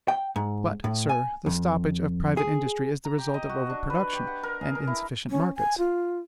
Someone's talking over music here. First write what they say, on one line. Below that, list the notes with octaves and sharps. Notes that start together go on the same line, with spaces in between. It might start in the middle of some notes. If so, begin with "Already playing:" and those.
But, sir, the stoppage of private industry is the result of over-production, and insufficient markets.
G5
G#2
A2
G#5
F2
G#4
A#5
G4
D#5
F#4
D4
B4
G4
F#5
A#4
G#4
A#4
E4
C#4
G#5
F4